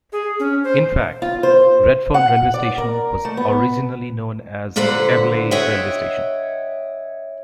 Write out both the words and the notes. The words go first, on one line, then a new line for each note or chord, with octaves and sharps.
In fact, Redfern railway station was originally known as Eveleigh railway station.
G#4
C#4
C5
F4
C5
F#5
D5
A#4
A3
B3
A#2 D3 B4 C5 F#5
C#5 D#5 E5 F#5 G5